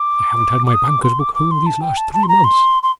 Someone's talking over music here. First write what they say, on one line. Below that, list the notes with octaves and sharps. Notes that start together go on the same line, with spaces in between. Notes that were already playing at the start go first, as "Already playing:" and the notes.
I haven't had my banker's book home these last three months.
Already playing: D6
D6
D#6
D6
C6
D6
D6
C6
A5
G5
A5
A5
C6
A#5
C6
C6